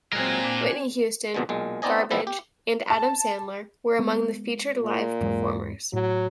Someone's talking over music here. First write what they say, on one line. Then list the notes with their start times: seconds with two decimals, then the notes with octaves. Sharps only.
Whitney Houston, Garbage and Adam Sandler were among the featured live performers.
0.13 A#2 F#3 G#3 C4 A#4 G#5
0.44 D4
1.34 A#1 F2 B2 D3 G#3
1.49 B1 A#2 G#3
1.82 B3 C4 D#4 D5 D#5 G#5
2.11 A#2 E3 F3 G3 B3 E4
2.27 G4
2.90 A5
3.99 G#3 B3
4.81 A#2
5.21 E2 G#2 G#3
5.93 A2 F#3